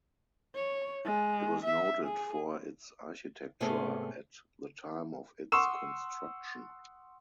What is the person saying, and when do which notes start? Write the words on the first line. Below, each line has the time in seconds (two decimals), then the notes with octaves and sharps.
It was noted for its architecture at the time of its construction.
0.55 C#5
1.05 G#3
1.64 E5
2.04 G#4
3.60 G#2 C3 A3 B3 C#4 G#4
5.52 F#5 C6 C#6 D#6 E6 E7